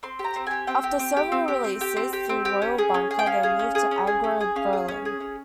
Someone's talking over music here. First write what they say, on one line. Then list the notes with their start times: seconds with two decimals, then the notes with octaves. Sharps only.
After several releases through Royal Bunker, they moved to Aggro Berlin.
0.03 C4 C6
0.19 G4
0.24 A#5
0.36 C4
0.47 G4 G#5
0.67 C4 G5
0.84 G4
0.99 C4
1.16 G4
1.32 C4
1.48 G4
1.64 C4
1.81 G4
1.97 C4
2.13 G4
2.29 C4
2.45 G4
2.62 C#4
2.78 G#4
2.94 C#4
3.11 G#4
3.19 G5
3.26 C#4 F5
3.43 G#4
3.59 C#4
3.75 G#4
3.91 C#4
4.07 G#4
4.24 C#4
4.41 G#4
4.56 C#4 F5
4.73 G#4
4.88 C#4
5.05 G#4
5.20 C#4